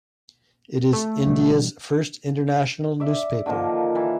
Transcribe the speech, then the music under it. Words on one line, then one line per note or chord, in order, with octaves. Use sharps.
It is India's first international newspaper.
A3
B2 E3 G3
D5 E5
D3 D#3 F3 A#3
E3